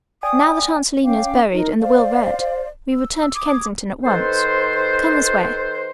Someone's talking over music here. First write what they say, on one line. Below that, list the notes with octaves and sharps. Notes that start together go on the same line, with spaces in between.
Now that Aunt Selina is buried and the will read, we return to Kensington at once. Come this way.
D5 G5 G#5 D#6
C#4 F5 G5 D6
D#4 A#4
C5 D5 F5
E6
D6 D#6 G#6
D#3 A4 B4 C5